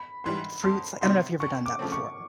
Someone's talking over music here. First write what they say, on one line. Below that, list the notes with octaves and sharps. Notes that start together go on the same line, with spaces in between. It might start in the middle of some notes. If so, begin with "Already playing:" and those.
fruits li I don't know if you've ever done that before.
Already playing: B5
G#2 E3 G3 C6
F2 C6
C3 D#3 F#3 B3 C6
D#2 C#6
D6
C#3 F3 A3 C4
C#6